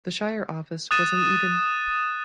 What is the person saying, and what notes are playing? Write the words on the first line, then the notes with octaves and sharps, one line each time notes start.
The shire office was in Eden.
D#6 F#6 A6 D#7 E7